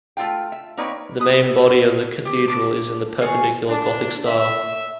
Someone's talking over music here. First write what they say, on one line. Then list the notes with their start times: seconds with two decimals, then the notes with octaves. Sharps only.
The main body of the cathedral is in the Perpendicular Gothic style.
0.17 A3 C#4 F4 F5 G5
0.52 E5
0.77 A#3 C4 D#4 B4 C#5 D5
1.19 B4 D#6
1.44 A4
2.25 G4
2.48 A5 D6
3.21 F4 F#4 G#4 C#5
3.69 D4
4.26 E5